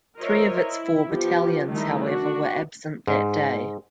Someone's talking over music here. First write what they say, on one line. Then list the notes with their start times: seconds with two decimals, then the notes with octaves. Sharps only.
Three of its four battalions, however, were absent that day.
0.18 F4 A#4 C5 C#5 D#5 E5
0.63 E4
1.09 F3 B3 G4
1.69 D#3 G3 A3 D#4 E4
2.04 D4 F#4
3.07 G#2